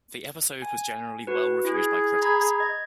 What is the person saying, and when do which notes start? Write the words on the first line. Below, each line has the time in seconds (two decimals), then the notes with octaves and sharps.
The episode was generally well reviewed by critics.
0.62 G#5
1.27 F#4 B4
1.65 E4 G#4
2.22 A#5 B5 G#6
2.60 D#5 G#6